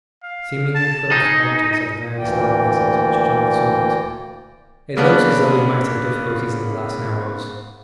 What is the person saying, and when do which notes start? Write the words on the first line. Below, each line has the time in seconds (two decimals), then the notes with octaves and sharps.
Seemingly close about us are the various land masses which adjoin the summit: it looks as though we might have difficulties in the last narrows.
0.23 F5
0.75 A5
1.12 D#4 G#4
2.19 D2 E3 A#3 D5 G5
4.97 C#3 A#3 B3 D4